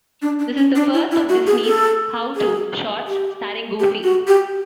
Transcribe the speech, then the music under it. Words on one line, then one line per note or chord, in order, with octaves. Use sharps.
This is the first of Disney's "How to..." shorts starring Goofy.
D4
D4
C#4
D4
E4
E4
F#4
G#4
A4
G#4
G4
G4
F#4
G4